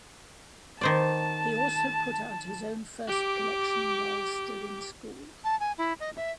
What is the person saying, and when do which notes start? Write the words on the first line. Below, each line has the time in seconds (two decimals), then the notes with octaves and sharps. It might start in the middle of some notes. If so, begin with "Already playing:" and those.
He also put out his own first collection while still in school.
0.81 D#3 C5 D5 A5
3.08 G4 D6
5.44 A5
5.60 G#5
5.78 E4
6.00 D#5
6.17 E5